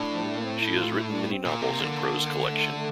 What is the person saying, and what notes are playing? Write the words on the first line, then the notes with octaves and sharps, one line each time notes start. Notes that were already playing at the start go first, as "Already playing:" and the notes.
She has written many novels in prose collection.
Already playing: A2 D4
F3
G3
A3
A#3
C4
E4
F4
E4
D4
C4
A#2 A#3
C3
D3
A3
A3